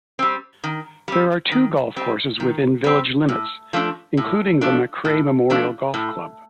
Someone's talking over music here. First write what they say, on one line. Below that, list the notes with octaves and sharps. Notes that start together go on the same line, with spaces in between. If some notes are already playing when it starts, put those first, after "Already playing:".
There are two golf courses within village limits including the Makray Memorial Golf Club.
G3 C4
D#3
G3 C4
D#3
G3 C4
D#3
G3 C4
A2
F3 A3 D4
A2
F3 A3 D4
A2
F3 A3 D4
A2